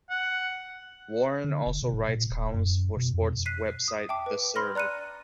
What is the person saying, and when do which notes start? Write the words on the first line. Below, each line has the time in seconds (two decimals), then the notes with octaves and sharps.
Warren also writes columns for sports website "The Serve".
0.10 F#5
1.44 D3
1.66 F1
1.82 B2
1.94 A2
2.09 A#2
2.31 D1
2.54 F#2
2.97 B2
3.14 F2
3.46 F#6 B6 C7 D#7
3.88 D#6
4.09 E5 G5 A5 D6
4.26 B4
4.56 B5 C6 F6 A#6
4.75 D5 A#5 F#6 C#7 D#7